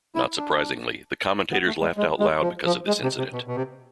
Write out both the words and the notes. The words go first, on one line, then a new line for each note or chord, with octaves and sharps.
Not surprisingly, the commentators laughed out loud because of this incident.
E4
D4
B3
A3
G#3
G#3
G#3
F3
F3
G#3
C3
C3
B2
B2
C3